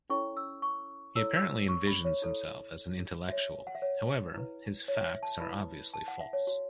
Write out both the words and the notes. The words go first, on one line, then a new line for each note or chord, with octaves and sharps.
He apparently envisions himself as an intellectual; however, his "facts" are obviously false.
C#4 E4 A4 C#5 C#6
E6
C#6
E4 A4 C#5 E6
E6
C#6
B5
C#5
E4 A4 C#5
F#4 C#5 E5
F#5
E5
C#5
E4 B4
C#5
E5
A5
E4 B4 B5
A5
F#5
E5
C#5
F#4 C#5